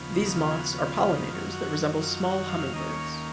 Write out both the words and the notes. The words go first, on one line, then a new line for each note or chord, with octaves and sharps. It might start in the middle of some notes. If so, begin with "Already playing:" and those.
These moths are pollinators that resemble small hummingbirds.
Already playing: D#2 C#3 F3 B3
D#4
D#4
F4
G#4
F#4
F#4
F4
F4
D#4
F#2 D#3 F#3 F4
F#4
F4
F#4
F5
D#2 D#3 A#3 C#4 D#5
C#5